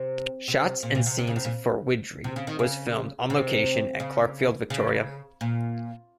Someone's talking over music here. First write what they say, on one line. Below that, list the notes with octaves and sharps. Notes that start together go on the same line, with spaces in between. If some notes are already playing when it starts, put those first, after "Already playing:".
Shots and scenes for Widgeree was filmed on location at Clarkefield, Victoria.
Already playing: C3
C3
A#2
A#2
C3
C3
C#3
C3
A#2
C3
C#3
D#3
C#3
C3
C#3
C#3
A#2